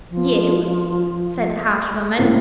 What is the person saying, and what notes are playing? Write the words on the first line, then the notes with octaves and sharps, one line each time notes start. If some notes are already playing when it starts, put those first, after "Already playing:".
"You!" said the harsh woman.
F3
A2 C3 A#3